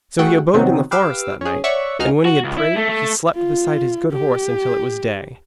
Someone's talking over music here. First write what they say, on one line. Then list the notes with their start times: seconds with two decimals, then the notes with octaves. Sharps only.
So he abode in the forest that night, and when he had prayed he slept beside his good horse until it was day.
0.19 A3 F#4 G#4 F#5 G5
0.54 C3 D#3 F#3 B3 C4
0.91 G4 B4 F5 D6 E6
1.41 C#4 G#4
1.64 C#5 D5 E5 F#5 C#6
1.99 C#2 D#4 F#4 G#4 F6
2.25 F#4
2.44 C#2
2.58 E4
2.76 A3
2.89 A3
3.35 F4
4.12 G4